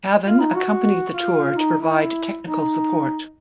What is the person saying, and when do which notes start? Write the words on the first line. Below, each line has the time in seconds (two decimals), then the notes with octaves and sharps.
Cavin accompanied the tour to provide technical support.
0.26 F4
0.39 D#4
0.55 F#4
1.13 F4
1.56 D#4
1.78 E4
2.44 D#4